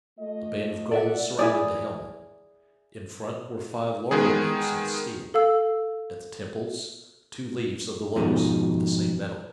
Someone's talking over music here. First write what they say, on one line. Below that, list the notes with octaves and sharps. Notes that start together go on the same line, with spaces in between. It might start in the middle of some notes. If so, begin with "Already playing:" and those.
A band of gold surrounded the helmet; in front were five laurel leaves in steel; at the temples two leaves of the lotus of the same metal.
A3 F4 D#5
D5 E5 F#5
E4 G#4 D5
D#3 G#3 B3 G#4
A4 F5 E6
F2 G#2 B2 F3 D#4